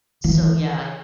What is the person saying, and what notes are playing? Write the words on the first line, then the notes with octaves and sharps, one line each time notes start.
So, yeah I
E3